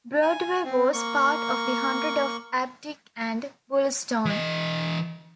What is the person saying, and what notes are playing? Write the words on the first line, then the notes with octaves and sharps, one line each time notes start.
Broadway was part of the hundred of Abdick and Bulstone.
G#5
C4
A#3 C#6
E3 D#5